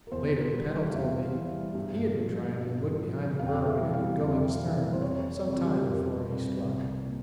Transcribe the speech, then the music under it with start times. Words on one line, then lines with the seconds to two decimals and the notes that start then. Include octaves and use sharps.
Later Pennell told me he had been trying to look behind the berg and had been going astern some time before he struck.
0.07 A#4
0.12 E2 C5
0.53 E3 G3
0.90 F5
0.93 E2 E5
1.35 E3 G3
1.75 G2
2.17 F3
2.57 G2
2.98 F3
3.39 F2 F5
3.47 G5
3.55 F5
3.66 E5
3.79 C3 E3 G3
3.94 F5
4.20 F2 F5
4.62 C3 E3 G3
4.93 C5
5.02 F2 C#5
5.30 C#5
5.43 C3 G3
5.57 F4
5.64 G4
5.73 F4
5.83 F2 A#4
6.25 C3 G3
6.65 C2
7.06 A#2